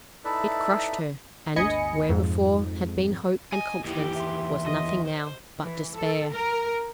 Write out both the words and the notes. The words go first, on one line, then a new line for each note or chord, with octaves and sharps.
It crushed her, and, where before had been hope and confidence, was nothing now but despair.
D#4 E4 A4 B4 D5 E5
G1 D2 D#5 G#5 B5 C#7
F2 G#2
D#5 G#5
D#2 E3 G4
E5 C6
D#5
C5
E3
A4
A#4